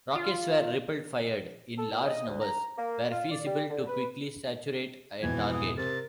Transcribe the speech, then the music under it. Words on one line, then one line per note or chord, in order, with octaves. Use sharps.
Rockets were ripple-fired in large numbers where feasible to quickly saturate a target.
F4
A4
A#2
D#5
D2
A#5
A#3
F4
D5
G3
D3
B4
F2 G#2 B2 E3 G#6
D#6
C3 A#4 A6